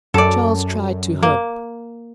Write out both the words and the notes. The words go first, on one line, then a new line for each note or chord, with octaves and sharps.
Charles tried to hope.
F#2 A4 D5
A#3